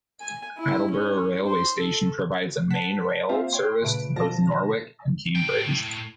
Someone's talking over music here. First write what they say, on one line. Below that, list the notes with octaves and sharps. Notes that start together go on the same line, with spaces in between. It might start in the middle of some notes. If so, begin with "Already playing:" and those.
Attleborough railway station provides a main line rail service to both Norwich and Cambridge.
G#5
E4
C#4
C5
A4
F#5 A5 B6
A#3 C4 F4 C5 E5 F5
C#5 G5 C6
A#2 C#3 A3 B4 D7
B2 D3 F3 A5 A#6
A2 G5